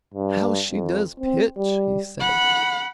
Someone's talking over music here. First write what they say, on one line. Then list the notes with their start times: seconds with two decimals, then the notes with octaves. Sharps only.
"How she does pitch!" he said.
0.14 G2
0.71 F2
1.20 C4
1.57 G3
2.21 F#5 B5